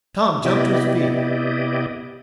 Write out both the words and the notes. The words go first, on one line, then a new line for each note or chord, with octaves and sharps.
Tom jumped to his feet.
C3 B3 E4 G4 D5 D#5